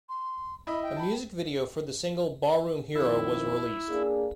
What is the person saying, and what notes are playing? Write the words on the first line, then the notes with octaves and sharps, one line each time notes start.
A music video for the single "Barroom Hero" was released.
C6
E4 D#5 B5
G5
A5 B5
F2 D#3 E4
A#3 D4 G#4